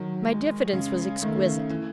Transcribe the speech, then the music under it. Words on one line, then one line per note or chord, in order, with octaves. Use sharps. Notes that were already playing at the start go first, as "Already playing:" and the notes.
My diffidence was exquisite.
Already playing: D#3 F#3
G#3
C#3
D#3 A3
E3